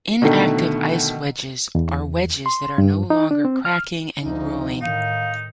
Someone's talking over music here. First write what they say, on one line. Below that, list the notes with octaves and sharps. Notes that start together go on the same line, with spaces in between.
Inactive ice wedges are wedges that are no longer cracking and growing.
B2 D3 D#3 A3
E2
C6
G2
D#4
D4
C4
F6
D2 F3 D#4
A2 D#3 D#4 F5